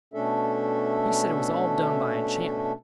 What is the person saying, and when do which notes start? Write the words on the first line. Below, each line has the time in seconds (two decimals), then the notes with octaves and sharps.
He said it was all done by enchantment.
0.14 B2 A3 C#4 D4 A4 E5